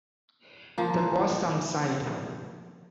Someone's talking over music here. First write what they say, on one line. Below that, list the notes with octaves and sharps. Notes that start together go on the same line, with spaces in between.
That was some side.
F3 A#3